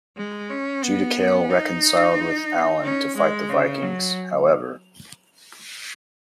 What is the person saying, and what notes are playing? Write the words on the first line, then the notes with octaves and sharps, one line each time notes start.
Judicael reconciled with Alan to fight the Vikings, however.
G#3
C#4
B3
D#4
C#4
G#3
C#3
F#3